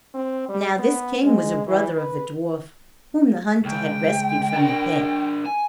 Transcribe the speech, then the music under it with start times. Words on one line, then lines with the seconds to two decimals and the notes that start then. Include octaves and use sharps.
Now this King was a brother of the dwarf whom the hunter had rescued from the pit.
0.14 C4
0.49 G3
0.79 B3
1.23 G#3
1.67 E3
1.98 B4
3.66 C#2 G5
4.53 D4 A#4
5.46 G#5